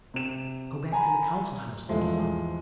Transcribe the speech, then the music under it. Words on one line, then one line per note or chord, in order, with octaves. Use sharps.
"Go back to the Council House," said Asano.
C3 E7
G#5 A#5 B5
E2 F3 G#3 A3